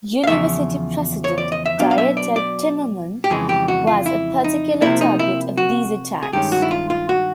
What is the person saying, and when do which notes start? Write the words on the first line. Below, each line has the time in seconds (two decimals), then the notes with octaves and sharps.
University president Dieter Timmermann was a particular target of these attacks.
0.24 F5
0.27 E2 C#3 F3 E5
1.24 C#5
1.38 D5
1.52 D#5
1.66 E5
1.79 B2 F#3 B3 D4 F5
1.91 F5
1.98 E5
2.17 D5
2.36 D5
3.24 G4
3.30 F2 C#3 E3 G#3 G#4
3.49 G4
3.68 F#4
3.87 F4
4.06 E4
4.44 D#4
4.81 C3 F3 A#3 E4
5.01 D#4
5.19 E4
5.57 F#4
6.23 G#4
6.33 G2 D#3 G#3 C#4 G4
6.52 F#4
6.62 E4
6.71 F4
6.90 F4
7.09 F#4